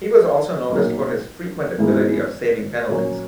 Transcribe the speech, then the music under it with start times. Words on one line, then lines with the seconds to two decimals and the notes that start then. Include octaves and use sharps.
He was also noticed for his frequent ability of saving penalties.
0.69 B1 A#2 F#3 A#3
1.79 G#2 E3 G#3 B3 E4
2.89 A#2 F#3 A#3 C#4